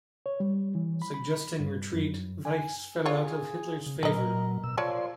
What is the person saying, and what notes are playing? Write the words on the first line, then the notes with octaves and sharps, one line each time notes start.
Suggesting retreat, Weichs fell out of Hitler's favor.
C#5
G3
E3
B5
B5
G2
F#2
G#5
F4 G#4 C#5
C#3
A#2 F#3 A#4 B4 D#5
B2 E6
F3 A#4 C#5 D5 A5 C6